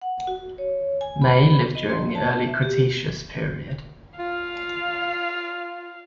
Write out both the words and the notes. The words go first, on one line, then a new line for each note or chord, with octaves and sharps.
"Mei" lived during the Early Cretaceous Period.
F#5
F#4
C#5
G#5
B5
D#5
C6
A5
E5
G4
F4 F5